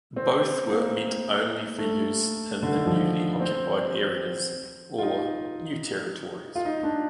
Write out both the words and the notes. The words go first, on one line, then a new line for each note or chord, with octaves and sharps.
Both were meant only for use in the newly occupied areas, or "New Territories".
C4
A#3
A3
D3
D#3
F3
C4
F4
D#4
F4
D#4
D4